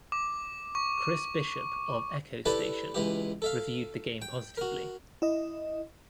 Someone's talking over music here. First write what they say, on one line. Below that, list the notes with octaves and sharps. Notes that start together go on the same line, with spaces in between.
Chris Bishop of "Echo Station" reviewed the game positively.
D6
C#6
D4 E4 G4 A4 B4 A5
C#2 E3 G4
A4 E5 F5
G5
F#4 A#4
E4 D#5